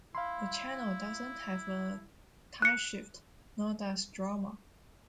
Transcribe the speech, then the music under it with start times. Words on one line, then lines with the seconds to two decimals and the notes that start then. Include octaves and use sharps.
The channel doesn't have a timeshift, nor does Drama.
0.15 E4 F5 B5 C6
2.62 F#6 C#7